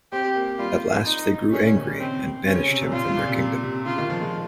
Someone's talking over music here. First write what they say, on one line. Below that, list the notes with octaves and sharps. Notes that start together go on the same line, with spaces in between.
At last they grew angry and banished him from their kingdom.
C4 G4
A#3
G3 F4
D#4
A#2 C#4
C#3
D#3
C#3
C4
C#3 C#4
C#3
C3
A#2
C3 F4
C#3
A#2
C3
C3
C#3 F4
D#3
F3
G#3